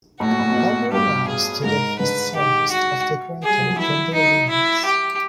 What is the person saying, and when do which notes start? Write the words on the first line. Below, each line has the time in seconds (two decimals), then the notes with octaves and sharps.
Balmer lies to the east-southeast of the crater Vendelinus.
0.20 A2 F#4
0.30 A#2
0.39 A2
0.50 B2
0.56 A#2
0.91 G2 G4
1.28 G#4
1.64 G#2 A#4
1.99 D3 B4
2.35 D#3 G4
2.71 F#4
3.43 G#4
3.49 G3
3.59 F#3
3.69 F3
3.79 E3 E4
4.14 D#4
4.49 E4
4.85 G4